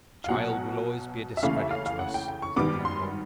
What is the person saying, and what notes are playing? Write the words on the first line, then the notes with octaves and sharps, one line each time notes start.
"The child will always be a discredit to us," said Lambole.
F5
B1 B2 F#3 F#5
E5
D#2 C#3 E3 A3 C#4 F5
E5
F5
F5
F#5
G5
G5
C#6
G#1 G2 D#3 G3 B3 D6
C6